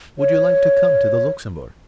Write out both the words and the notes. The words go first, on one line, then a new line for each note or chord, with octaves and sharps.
"Would you like to come to the Luxembourg?"
C#5